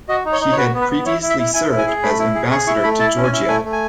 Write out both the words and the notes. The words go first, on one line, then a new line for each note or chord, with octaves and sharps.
He had previously served as Ambassador to Georgia.
F#4 D#5
D#4
C#5
D#4
C#5
F#4 B4
B3
B4
B3
E4 C#5
E4
E5
E4
E4 G#5
E4
G#5
G#4
A3 B5
E4
G#4
G#4 C#6
E4 C#6
A3 B5
E4 A5
C#4
G#5
E4
A3 G#5
A3
G#5